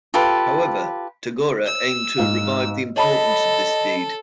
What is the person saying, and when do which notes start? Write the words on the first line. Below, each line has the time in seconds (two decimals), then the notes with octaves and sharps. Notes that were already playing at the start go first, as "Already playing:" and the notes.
However, Tagore aimed to revive the importance of this deed.
0.14 F4 G4 A4 B4
1.66 E6
2.18 G#2 F5
2.96 A4 C#5 D#5 A5 B5